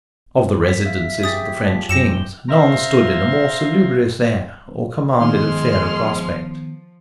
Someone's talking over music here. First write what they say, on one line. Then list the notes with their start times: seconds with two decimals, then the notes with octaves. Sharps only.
Of the residences of the French kings none stood in a more salubrious air or commanded a fairer prospect.
0.64 B6
0.85 E5 F5
1.23 G4 G#4 D#6 A6
1.64 F3
1.89 F#2 G4 E6 A#6 C#7 E7
2.13 G7
2.50 C5 E5 F5 A#5 C6
5.20 D#3 F3 G#3 B3 C6 F6